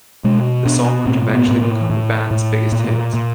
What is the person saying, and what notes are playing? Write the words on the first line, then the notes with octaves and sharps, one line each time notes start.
The song would eventually become the band's biggest hit.
B2 G#3
B2 D4
A2 C4
B3
A2 B3
A#3
A2
A2
A#2
A#2